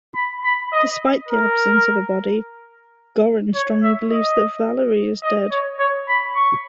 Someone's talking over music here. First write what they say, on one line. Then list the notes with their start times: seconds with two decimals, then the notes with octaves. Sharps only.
Despite the absence of a body, Goren strongly believes that Valerie is dead.
0.15 B5
0.44 B5
0.73 D#5
1.28 A#4
3.55 C#5
3.83 E5
4.11 D#5
5.23 D#5
5.52 C#5
5.79 C#5
6.09 B5
6.36 C#6